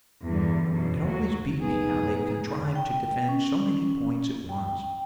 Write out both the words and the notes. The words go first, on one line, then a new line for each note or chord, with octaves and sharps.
It always beat me how they contrived to defend so many points at once.
E2 G2 D3 G3
F#2 B2
D#2 F#3 F#4
F2 B2 F3 B3 D#4 G#4
G5
C#4
G5